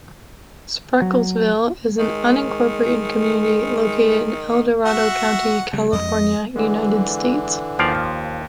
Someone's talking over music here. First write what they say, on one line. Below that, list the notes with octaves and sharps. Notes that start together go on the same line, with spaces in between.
Sprekelsville is an unincorporated community located in El Dorado County, California, United States.
F#3
D#3 G#3
F#4 E5 F#5
C#3 G3
F2 G#3 D#5
D3 E3 G#3
D#2 F3 D5 F5